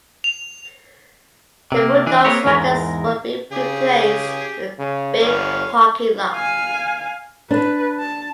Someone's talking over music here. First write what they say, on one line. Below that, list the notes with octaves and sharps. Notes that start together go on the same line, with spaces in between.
The Rudolph structures would be replaced with a big parking lot.
F7
C3 A#3
E3 D4
A#3 C4 G#4 A#4 B4 C#5
E2 G#2 E3 G#3 A#4
C#3 G4 G#4
C#3
G1 C#5 D5 F5
F5 G#5
D4 B4
A5